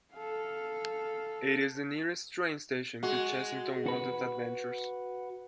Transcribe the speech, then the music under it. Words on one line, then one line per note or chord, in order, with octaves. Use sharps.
It is the nearest train station to Chessington World of Adventures.
A4 F5
G#3 F#4
F#4 B4